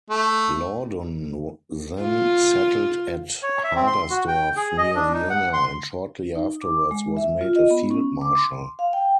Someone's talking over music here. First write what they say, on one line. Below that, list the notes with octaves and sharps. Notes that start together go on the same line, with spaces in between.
Laudon then settled at Hadersdorf near Vienna, and shortly afterwards was made a field-marshal.
A3
F4
C#5
E5
C4
C6
F#4
G5
G#4
D#5
D4
D#4
F#5
C6
D#4
D6
G#3
E5
F4
D#5
B3
C#4
D6
C6
F5
G5